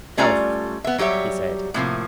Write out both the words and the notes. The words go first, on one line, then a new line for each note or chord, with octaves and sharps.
"Health," he said.
G3 A3 C#4 F4 D5 A#5
B3 E5
F#3 G3 G4 C#5 E5
A2 C3 F3 A#3